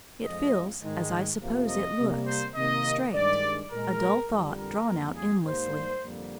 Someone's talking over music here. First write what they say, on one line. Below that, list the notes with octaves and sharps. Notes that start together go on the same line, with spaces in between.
It feels, as I suppose it looks, straight--a dull thought drawn out endlessly.
F2 D3 F3 G#3 D#5
G#2 D#3 G#3
F2 C3 F3 A#3
D#5
C3 G3 A#3
C5
C3 D#3 A#3 D#5
G2 D#3 G#3 D5
A#2 G#3 A#4
F2 D3 G3
A#4
F2 D#3 G3 A#3
G#4
G#2 G3 A#3 C5
F2 D3 G3 A#3